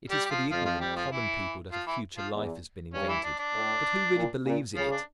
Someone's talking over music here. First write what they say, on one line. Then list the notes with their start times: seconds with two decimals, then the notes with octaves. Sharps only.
It is for the ignorant, common people that a future life has been invented, but who really believes in it?
0.10 G3 G4
0.25 G4
0.30 F3 F4
0.50 F2 F3 F4
0.65 F3 F4
0.80 G3 G4
0.96 F3 F4
1.11 E3 E4
1.72 F3 F4
1.87 E3 E4
2.17 F3 F4
2.33 E2
2.93 G2 C#4
3.08 E3 E4
3.24 D4
3.39 D4
3.54 A2
4.15 A#2
4.45 A#2
4.76 C#3 F3 F4
4.91 D4